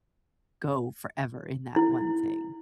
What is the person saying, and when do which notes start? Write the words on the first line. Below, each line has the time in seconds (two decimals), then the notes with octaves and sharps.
go forever in that one thing,
1.76 E4